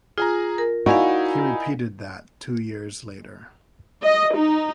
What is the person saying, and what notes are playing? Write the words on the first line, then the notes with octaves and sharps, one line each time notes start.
He repeated that two years later.
F4 G#4 G#5 A#5
A#4
D#4 E4 F#4 D5 F5 G#5
D#5
D#4